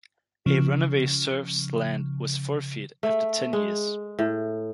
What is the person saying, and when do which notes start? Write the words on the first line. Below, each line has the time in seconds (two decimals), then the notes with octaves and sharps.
A runaway serf's land was forfeit after ten years.
0.46 C#3 F3
3.03 A3
3.53 G#3
4.19 A2